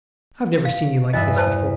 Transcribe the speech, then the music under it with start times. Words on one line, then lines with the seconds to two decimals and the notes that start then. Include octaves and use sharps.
I've never seen you like this before.
0.65 F5
1.13 E2 G2 D#5 E5
1.36 B4 C5 A5